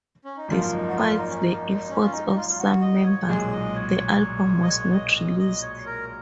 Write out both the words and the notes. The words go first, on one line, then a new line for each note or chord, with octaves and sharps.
Despite the efforts of some members, the album was not released.
C#4
D#4
G#1 F#2 F3 A#3 F4
D#4
F#4
F4
D#4
C#4
D#4
C#4
F4
D#4
D#4
F4
F4
F#4
D#5
C#5
B1 A#2 G#3 G#4
D#5
C#5
D#5
C#5
D#5
D#5
D#5
C#5
A#4